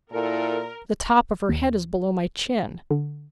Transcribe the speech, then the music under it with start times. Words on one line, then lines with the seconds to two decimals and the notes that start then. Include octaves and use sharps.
"The top of her head is below my chin."
0.12 A#2 E4 A4 A#4
1.49 D#2
2.91 D3